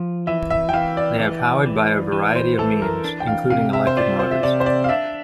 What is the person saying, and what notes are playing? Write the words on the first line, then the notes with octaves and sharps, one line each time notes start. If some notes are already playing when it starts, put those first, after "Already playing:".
They are powered by a variety of means, including electric motors.
Already playing: F3
E3 E5
E5
G5
E3 F5
D5
E3
E3
E3
C5
E3 A4
A#4
D4
G5
F5
C3 F5
E5
C5
F4 D5
C5
E5
C3 D5
C5
D5
F5
D4 E5